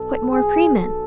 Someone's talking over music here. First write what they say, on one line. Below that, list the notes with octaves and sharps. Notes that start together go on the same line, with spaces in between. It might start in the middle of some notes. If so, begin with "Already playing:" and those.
Put more cream in.
Already playing: B1 B2 A4
G#4
A4